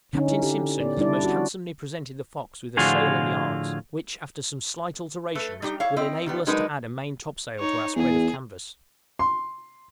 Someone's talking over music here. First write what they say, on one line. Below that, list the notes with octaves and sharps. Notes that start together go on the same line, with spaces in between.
Captain Simpson has most handsomely presented the 'Fox' with a sail and yards, which, after some slight alterations, will enable us to add a main topsail to our spread of canvas.
D3 C#4 D#4
E4
G4
B3 D5
G3 D4 E4 D5
C#4 F#4
A2 D3 F3 F4 F#4 G#4
A3 A4 B4
G3 D#4 G4
E4 C#5 F5
C4 E4 D#5
D#3 G3 B3
F#3 G#3 D4 D#4 A#4 B4
D#4 C#5
E2 G#4
C6